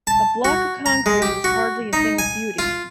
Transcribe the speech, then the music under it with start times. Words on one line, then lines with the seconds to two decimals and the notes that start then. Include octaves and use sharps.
A block of concrete is hardly a thing of beauty.
0.07 A5
0.45 F#4
0.86 A#5
1.06 G#3
1.22 G4
1.44 F#4
1.93 D#4
2.19 G#5
2.59 F4